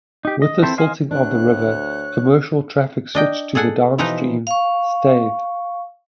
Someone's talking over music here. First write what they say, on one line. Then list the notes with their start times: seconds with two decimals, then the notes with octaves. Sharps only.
With the silting of the river, commercial traffic switched to the downstream Staithe.
0.25 D#4 G4
0.42 D#5
0.63 C4 E4 A4 C5
0.78 C5 D#5 F5 G#5
1.11 D2 D4 C#5 F#6
3.15 D4 D#5 G5
3.55 G#4 A4 F#5 G#5
3.98 B2 E3 F3 D#4 B4 A#5
4.47 F5 C#6